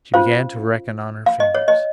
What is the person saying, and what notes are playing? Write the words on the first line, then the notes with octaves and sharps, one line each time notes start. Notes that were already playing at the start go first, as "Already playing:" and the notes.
She began to reckon on her fingers.
C#4 F4 C5 F5
F5
D#5
C#5
D#5